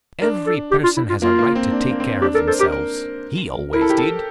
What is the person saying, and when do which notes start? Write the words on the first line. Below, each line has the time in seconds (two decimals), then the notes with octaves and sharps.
"Every person has a right to take care of themselves. He always did."
0.21 D4 A#4
0.47 A4
0.71 G4
0.84 F4
0.97 E4
1.10 F4
1.22 A#3 F4
1.39 A#3
1.55 C4
1.71 D4
1.81 C4
1.91 A#3
2.00 C4
2.22 D4 G4
2.34 A4 A#4
2.47 A4 C5
2.59 G4 A#4
2.72 A#4
3.73 E4 A#4
3.81 A4
3.90 G4
3.98 A4